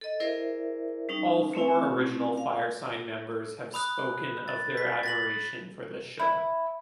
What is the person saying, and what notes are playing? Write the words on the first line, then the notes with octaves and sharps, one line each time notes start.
All four original Firesign members have spoken of their admiration for this show.
A4 D#5
E4 G#4 A#4 C5 D5 E5
G3 C#4 D#4
A3 C4 C#4 E4
F5
B5 D#6 F#6
A6
B6
A6 A#6 F#7
E4